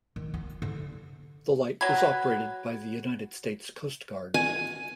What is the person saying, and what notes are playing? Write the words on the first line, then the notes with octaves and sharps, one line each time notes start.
The light is operated by the United States Coast Guard.
D#3
F4
D3
F#3 B4 G#6
G#5